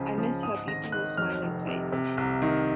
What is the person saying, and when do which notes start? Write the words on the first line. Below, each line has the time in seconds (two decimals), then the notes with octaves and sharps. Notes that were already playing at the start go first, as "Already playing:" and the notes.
I miss her beautiful smiling face.
Already playing: C#2 C#3 F3
0.18 F3
0.43 G#2 D#6
0.68 G#1 A#6
0.92 D#3 F#6
1.17 F2 F6
1.42 F1
1.68 C3
1.92 C3
2.17 C2
2.42 D#3